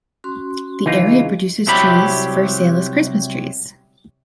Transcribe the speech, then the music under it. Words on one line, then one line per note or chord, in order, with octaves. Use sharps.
The area produces trees for sale as christmas trees.
C#4 F#4 C6
C#2 E3 D#4 F4
C#4 G#4 D#5
C2 C3 F#3 G4 B5